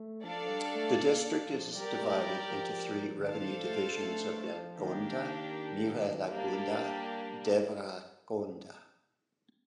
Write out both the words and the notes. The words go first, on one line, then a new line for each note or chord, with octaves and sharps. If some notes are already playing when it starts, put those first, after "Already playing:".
The district is divided into three revenue divisions of Nalgonda, Miryalaguda, Devarakonda.
Already playing: A3
F3 D4 A4 D5 F5
F3
G3
A3
A#3
F3
G3 G4 A#4 D5
G3
A3
F3
G3
F3
D3
D#3 D4 A4 C5 F5 A5
F3
A3
G3
A3
A3
F3
D#3 A#3 D4 G4
G3 A#3 D4 G4